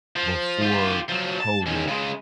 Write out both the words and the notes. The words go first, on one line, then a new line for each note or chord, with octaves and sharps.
before COVID,
F3
F4 G4
F3 F#3
A5
D#3 C#4
C#3 G#3